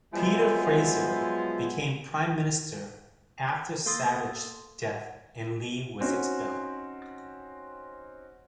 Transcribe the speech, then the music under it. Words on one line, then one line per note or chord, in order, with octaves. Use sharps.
Peter Fraser became Prime Minister after Savage's death and Lee was expelled.
F3 F#3 G#3 B3 E4
A#3 A4 C6 D#6 A6
C4 C#4 D#4 F#4